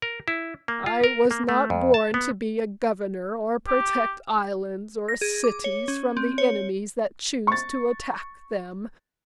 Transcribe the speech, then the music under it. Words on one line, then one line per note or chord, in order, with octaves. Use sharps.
I was not born to be a governor or protect islands or cities from the enemies that choose to attack them.
A#4
E4
A#3
F4
A#4
A#3
A3
F2
A5
B3
G4
A#6
G#4
D6
C#5
C#4
C4
C#5
C#6 A6